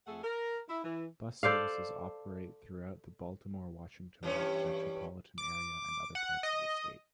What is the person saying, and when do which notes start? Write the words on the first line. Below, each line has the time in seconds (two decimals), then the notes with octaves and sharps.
Bus services operate throughout the Baltimore-Washington Metropolitan Area and other parts of the state.
0.06 F2 A3 G#4 A4 F#5
0.23 A#4
0.68 E4
0.84 E3
1.43 A4 C5 D5 F5
4.23 G2 E3 C#4
5.38 D6
6.15 F#5
6.43 D#5